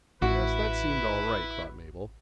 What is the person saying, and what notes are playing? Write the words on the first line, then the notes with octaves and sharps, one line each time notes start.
Yes--that seemed all right, thought Mabel.
A1 E4 F#4 B4